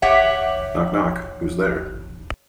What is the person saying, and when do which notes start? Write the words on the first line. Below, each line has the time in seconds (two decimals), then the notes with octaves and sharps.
Knock knock! Who's there?
0.02 G4 C#5 E5 F#5